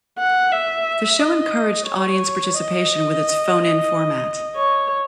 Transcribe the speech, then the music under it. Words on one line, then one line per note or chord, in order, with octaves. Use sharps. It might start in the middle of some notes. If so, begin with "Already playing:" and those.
The show encouraged audience participation with its phone-in format.
F#5
E5
D#5
C#5
D#5
C#5